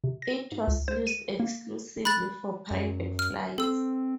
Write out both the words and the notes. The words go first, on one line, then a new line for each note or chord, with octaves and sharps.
It was used exclusively for private flights.
C3
A#6
G#2
C#2
C5
D#7
A#3
B5 F#6 A6
F#2
F6
C4 A4 E6